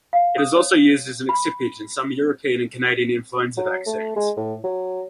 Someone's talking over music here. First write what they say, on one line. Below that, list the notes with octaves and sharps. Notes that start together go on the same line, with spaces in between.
It is also used as an excipient in some European and Canadian influenza vaccines.
F5
D#6
C#5
B5
F#3
A3
G#3
A2
F#3